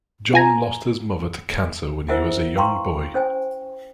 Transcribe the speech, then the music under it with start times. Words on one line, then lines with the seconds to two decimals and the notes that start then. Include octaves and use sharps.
John lost his mother to cancer when he was a young boy.
0.34 F4 G#5 A#5
2.09 E4 A#4 C5 E5 F#5 G#5
2.56 B4 F5 G5 A#5 C6 C#6
3.14 C#4 C5 G5 G#5